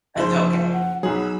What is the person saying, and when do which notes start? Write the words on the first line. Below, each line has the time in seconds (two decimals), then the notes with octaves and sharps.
It's okay.
0.16 F#1 F3 G#3 D#4 C5
0.73 F#5
1.03 B1 F#3 D#4 G#4 B5 E6